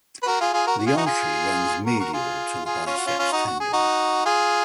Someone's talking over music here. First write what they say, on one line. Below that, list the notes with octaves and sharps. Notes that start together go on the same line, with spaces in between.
The artery runs medial to the biceps tendon.
B4
F#4 A#4
F4 G#4
F4 G#4
F#4 A#4
F#4
F4 G#4
D#4 F#4
F4 G#4
F#4 A#4
F#4 A#4
F4 G#4
F4 G#4
C#4 F4
F#4
C#4 F4
C#4 F4
D#4 F#4
F#4
G#4
D#4 F#4
F4 G#4